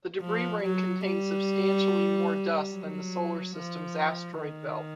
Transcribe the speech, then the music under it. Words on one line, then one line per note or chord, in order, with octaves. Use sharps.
The debris ring contains substantially more dust than the Solar System's asteroid belt.
F3
F#3
G3
F#3
F3
D#3